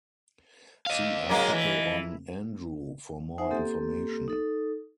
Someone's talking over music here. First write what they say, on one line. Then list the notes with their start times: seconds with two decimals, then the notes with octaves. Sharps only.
See article on "Andrew" for more information.
0.86 D#5 F5
1.29 F#2 G#3 A#3
1.52 E3
3.38 D#4 C5 E5 F#5 G#5 D#6
3.50 A#3 C4 G4 A4
4.28 D#4 A4